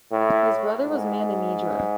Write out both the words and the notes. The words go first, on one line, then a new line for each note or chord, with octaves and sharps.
His brother was Maninidra.
A2
G#2